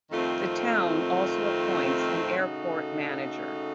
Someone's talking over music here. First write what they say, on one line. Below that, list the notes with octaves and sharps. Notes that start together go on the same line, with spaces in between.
The town also appoints an Airport Manager.
F2 D#3 A3 C4 F4
C#3 A3 D#4 F#4 A4